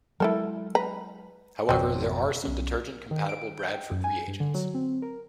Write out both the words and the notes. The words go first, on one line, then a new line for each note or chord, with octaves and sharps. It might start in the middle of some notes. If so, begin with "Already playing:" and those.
However, there are some detergent-compatible Bradford reagents.
F#3 G#3 E4 A4 A#4
B4 A#5
G#1 F2 B2 F#3 C4
B1 B3 C#4
D#3
D7
G6
G5
F#2
G#5
G2
D3
F#3
C4
A#4